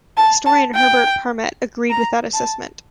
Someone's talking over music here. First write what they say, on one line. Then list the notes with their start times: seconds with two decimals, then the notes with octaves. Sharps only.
Historian Herbert Parmet agreed with that assessment.
0.17 A5
0.46 A5
0.75 G5
1.90 A#5
2.34 A5